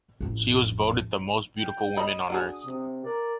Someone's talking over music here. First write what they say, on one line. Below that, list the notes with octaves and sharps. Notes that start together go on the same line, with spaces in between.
She was voted the most beautiful woman on Earth.
A1 F2
G5
D5 D#5 B5 D#6
D4 F#4 G#4
C3
A#4 D5